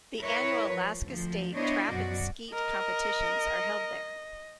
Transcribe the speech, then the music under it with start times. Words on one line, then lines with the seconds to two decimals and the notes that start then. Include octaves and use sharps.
The annual Alaska State Trap and Skeet competitions are held there.
0.20 E4 A#4 B4 C#5
0.73 F3
1.05 D2 F3
1.56 B3 D4 E4 C5 C#5 D#5
1.88 F#2 B2 F#4 D5
2.53 A#4 D#5